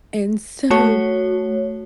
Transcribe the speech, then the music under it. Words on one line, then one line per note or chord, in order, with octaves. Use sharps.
And so
A3 F#4 C#5